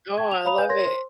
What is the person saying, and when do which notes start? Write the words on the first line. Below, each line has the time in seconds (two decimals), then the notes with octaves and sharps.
Oh, I love it.
0.18 G5 A5 C#6 G#6
0.32 F7
0.45 C#5 F5 A#5 B5 D#6 F7
0.58 B4 F5 G#5 G6
0.69 A#4 C#5 C6 G#6 A#6
0.85 C5 C6